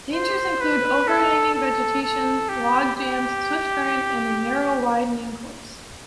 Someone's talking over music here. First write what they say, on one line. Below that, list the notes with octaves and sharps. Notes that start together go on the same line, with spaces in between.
Dangers include overhanging vegetation, logjams, swift current, and a narrow winding course.
C5
B4
A4
A4
A4
G4
G4